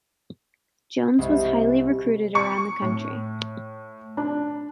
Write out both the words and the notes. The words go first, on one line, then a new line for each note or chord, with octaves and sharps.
Jones was highly recruited around the country.
C2 G#3
C#6
A2
D4